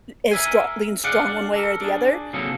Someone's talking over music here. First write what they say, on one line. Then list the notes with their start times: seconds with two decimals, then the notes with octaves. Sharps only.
i is stro leans strong one way or the other,
0.31 A#4 E5 G#5
1.04 G#4 D5 F5 F#5
1.28 D4
1.56 A4 A#4
1.81 D4 G#4
2.33 C3 F#3 A#3 G#4 A4